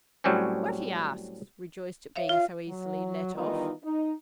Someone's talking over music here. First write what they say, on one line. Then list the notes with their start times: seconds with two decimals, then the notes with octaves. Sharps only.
"What?" he asks, rejoiced at being so easily let off.
0.24 A2 F#3 G3 C4 C#4
2.16 C#5 E5 F5
2.29 F4 F5
2.68 F#3
3.35 D#3 E3 G3 B3 D#4 F4
3.83 D#4